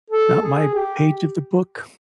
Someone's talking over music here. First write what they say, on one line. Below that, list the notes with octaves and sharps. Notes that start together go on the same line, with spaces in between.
not my page of the book.
A4
G#4
G4